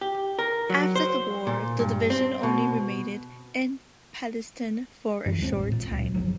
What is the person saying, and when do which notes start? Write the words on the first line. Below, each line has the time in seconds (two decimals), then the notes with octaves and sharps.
After the war the division only remained in Palestine for a short time.
0.01 G4
0.39 A#4
0.70 F#3
0.96 C5
1.47 A#2
1.79 G2
2.10 C4
2.43 B2
5.26 F#2 E3
5.41 D#2 G#3 B3 C4
5.52 A1
5.72 A#2
5.91 C#2
6.14 G1 C2 F3 F#3